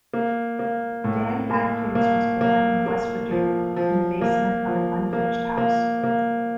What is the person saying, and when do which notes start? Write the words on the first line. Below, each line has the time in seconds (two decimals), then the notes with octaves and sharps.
Dan Adkins was born in West Virginia, in the basement of an unfinished house.
0.13 A#3
0.59 A#3
1.04 A2
1.50 A#3
1.95 A#3
2.41 A#3
2.86 A#3
3.31 F3
3.76 F3
4.21 A#3
4.67 F3
5.13 A#3
5.57 A#3
6.04 A#3